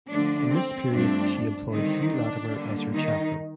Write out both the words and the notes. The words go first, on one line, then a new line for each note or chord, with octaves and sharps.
In this period she employed Hugh Latimer as her chaplain.
D3 F3 A3 D4
C4
G2 F3 A3 C4 D4
D3 D#3 G3 C4 D#4
D4
D3 G3 A#3
D#3 D#4